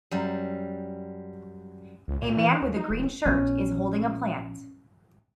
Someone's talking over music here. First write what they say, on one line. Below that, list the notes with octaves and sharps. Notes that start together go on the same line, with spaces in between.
A man with a green shirt is holding a plant.
F#2 G3
C#2
A#2
E3
D#2
D#4
E1
A#1 B3 C#4